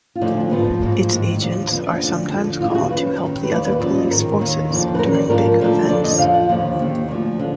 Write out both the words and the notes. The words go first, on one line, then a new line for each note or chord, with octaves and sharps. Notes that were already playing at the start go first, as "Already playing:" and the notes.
Its agents are sometimes called to help the other police forces during big events.
F4
D2 D3 F3 D#4
D4
G#2 F3 B3
B3
G#2 F3 A#3
G#2 D#3
D#2 D3 F3
F2 F3 B3
D4
D2 D3 F3
F2 D3 F3
D#2 D3 F3 F4
G#4
F#4
F#2 D#3 B4
F#2 D#3
B4
D#2 D#3 D5
B4
F#2 F3 D5
D#5
G#2 D#3 A#4
D#2 D#3
F2 D3 F3
B4
F#2 D#3 A#4
D5
G#2 F3 A#4
D2 D3 F3
F2 D3 F3 D5
D#5
F2 F3 F5
F#5
D#2 D3 F3
D#2 D#3
D2 D3 F3
D3 F3